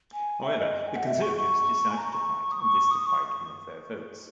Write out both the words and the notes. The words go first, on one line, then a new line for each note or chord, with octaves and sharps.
However, the Conservatives decided to fight and this deprived him of their votes.
G#5
E5
D#5
G#5
F#5
E5
C#6
C#6
G#5
A#5
C#6
D#6
C#6
D#6
C#6